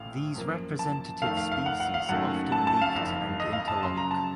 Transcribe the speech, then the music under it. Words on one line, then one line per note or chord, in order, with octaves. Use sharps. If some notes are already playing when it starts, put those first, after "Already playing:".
These representative species often meet and interlock.
Already playing: A1 A2 A3 F5
F#2 F3 A#3
A5
F1 F2 D#3 A3 F5
F5
F5
F#5
F#5
F5
F#1 F#2 D#3 F#3 A3 F#5
A5
A5
F5
F#1 F2 D#3 F5
D#5
F5
A5
F#2 C#3 F#3 C6
A#5
A5